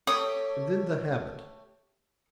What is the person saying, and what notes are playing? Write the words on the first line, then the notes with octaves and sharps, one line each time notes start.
And then the habit!
A3 G4 C#5 D#6